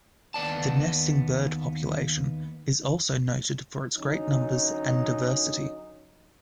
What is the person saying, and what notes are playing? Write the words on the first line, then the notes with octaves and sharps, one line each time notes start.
The nesting bird population is also noted for its great numbers and diversity.
D#2 B3 D5 A5
D3 F#3 C#4 D#4